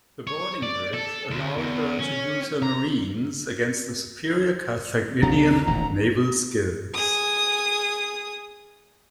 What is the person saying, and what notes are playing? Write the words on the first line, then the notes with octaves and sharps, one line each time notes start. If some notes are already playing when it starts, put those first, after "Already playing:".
The boarding-bridge allowed her to use her marines against the superior Carthaginian naval skills.
C#5
D5
A4
D2
E2
C#4
A#5
C2 C#3 B3 A#5
F2 A#5
D#1 A1 B2 A#5
G#4 D#6